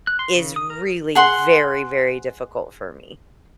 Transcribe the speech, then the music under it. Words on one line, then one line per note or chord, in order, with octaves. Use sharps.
is really, very, very difficult for me.
F#6
C6
C#3
D#6
A#4
G#4 F#5 C6